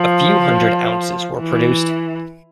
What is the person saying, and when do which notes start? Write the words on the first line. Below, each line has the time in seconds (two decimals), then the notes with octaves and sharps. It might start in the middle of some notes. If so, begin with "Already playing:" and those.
A few hundred ounces were produced.
Already playing: F3
1.40 E3